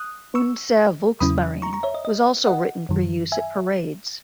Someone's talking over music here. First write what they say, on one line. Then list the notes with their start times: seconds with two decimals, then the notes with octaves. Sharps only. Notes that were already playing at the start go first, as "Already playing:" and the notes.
"Unsere Volksmarine" was also written for use at parades.
Already playing: D#6 F#6
0.35 C#6 E6
1.20 E2 C#3 F#3 C#4 E4 B5 D#6
1.62 A#5 C#6
1.73 A#5 C#6
1.83 C#5 E5
1.94 D#5
2.05 D#5
2.47 D#5 F#5
2.89 F#2 D#3 F#3
3.32 E5 G#5